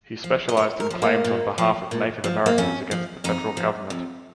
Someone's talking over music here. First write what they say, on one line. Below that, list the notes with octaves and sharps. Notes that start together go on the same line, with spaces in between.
He specialized in claims on behalf of Native Americans against the federal government.
F3
D#5
A#2 C#5
A#4
F3
A#3
A#2
F3
A#2
F3
A#3
F2 C#4
F3
F2 D#4
F3
F2